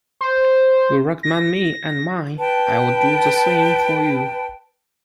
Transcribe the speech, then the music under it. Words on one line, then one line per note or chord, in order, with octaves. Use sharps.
You recommend me and mine, I'll do the same for you.
C5
A#6
B4 G5 A5